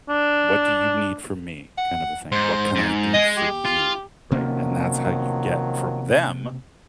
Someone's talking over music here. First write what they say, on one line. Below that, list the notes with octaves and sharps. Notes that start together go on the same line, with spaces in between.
what do you need from me kind of a thing, "What can I do for you?" right, and that's how you get from them
D4
F#5
G#2 C5
G#2
G#3 D#5
G4
F4
C3 D#3 F3 F#3 A#3 C#4